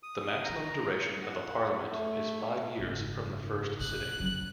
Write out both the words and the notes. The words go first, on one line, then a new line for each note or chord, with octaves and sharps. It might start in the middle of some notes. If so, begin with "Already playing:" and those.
The maximum duration of a Parliament is five years from the first sitting.
D#6
A#5
F#5
A3
F#1 G#2
C3 F#6
F#1 C#3 F#3